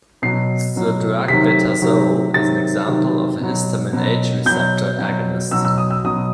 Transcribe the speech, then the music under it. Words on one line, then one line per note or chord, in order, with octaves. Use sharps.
The drug betazole is an example of a histamine H receptor agonist.
B2 F#3 C7
B2 F#3
C3 D#3 F#3 B6
C3 D#3 F#3
C3 D#3 F#3 A6
C3 D#3 F#3
B2 F#3
B2 F#3
B2 F#3 G6
B2 F#3
B2 F#3 E6
E6
D#6
E6
B2 F#3 D#6